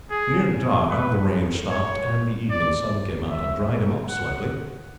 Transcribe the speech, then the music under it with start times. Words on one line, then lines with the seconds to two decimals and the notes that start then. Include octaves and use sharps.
Near Dhar the rain stopped and the evening sun came out and dried him up slightly.
0.10 G#4
0.91 B4
1.71 C#5
2.50 D5
3.29 E5
4.09 F#5